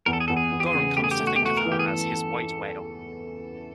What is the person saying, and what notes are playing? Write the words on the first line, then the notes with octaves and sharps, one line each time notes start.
Goren comes to think of her as his "white whale".
E2 A#4
A4
G#4
E2 A4
G#4
E2
G4
G#4
C#3
A3 G4
G#4
G4
A3
F#4
G4
A3 F#4
A#4
E3
G4
G#4
A4